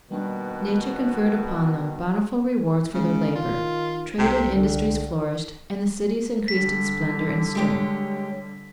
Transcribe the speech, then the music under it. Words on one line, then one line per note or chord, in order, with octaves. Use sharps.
Nature conferred upon them bountiful rewards for their labour; trade and industries flourished, and the cities increased in splendour and strength.
B2 D#3 G3 A#3 D4 B4
C#3 G#3
D#3 F4
C2 C3 A3 G5
D#2 D3
D3 G3 B6
G#3 G4 C#5